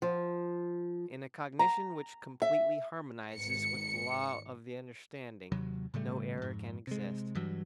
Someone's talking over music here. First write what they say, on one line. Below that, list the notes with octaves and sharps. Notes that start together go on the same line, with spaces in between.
In a cognition which completely harmonizes with the laws of the understanding, no error can exist.
F3
A#5
E5
G#1 C#7
D#2 C3 F#3
A2 C#3 G3 A3
F2 G#2
C3 G#3
G2 E3 F#3